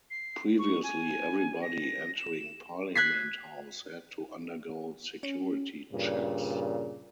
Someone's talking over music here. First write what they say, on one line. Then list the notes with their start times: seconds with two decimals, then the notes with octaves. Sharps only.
Previously, everybody entering Parliament House had to undergo security checks.
0.11 C7
0.59 C#6
0.83 G#5
1.62 A#6
2.19 E7
2.95 F#6 G#6 B6 C7
5.23 C#4
5.93 G2 A#2 C#3